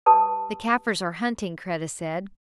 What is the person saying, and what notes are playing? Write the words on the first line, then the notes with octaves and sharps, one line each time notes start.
"The Kaffirs are hunting," Kreta said.
G4 B4 A5 D#6